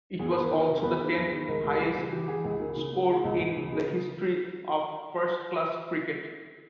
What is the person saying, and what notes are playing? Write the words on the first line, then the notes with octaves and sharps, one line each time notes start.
It was also the tenth-highest score in the history of first-class cricket.
E2 G#4
E2 B4
A#4
D#3
A#4
C3
E2 B4
D#3
E2
D#3
C#2 A#4
C#2
G4
G3 G#4
C#3
E3 G4
E3 G#4
C#2 G#4
C#3 A#4
C#3
C#3
G#3
C#2
C#2
C#3
C#3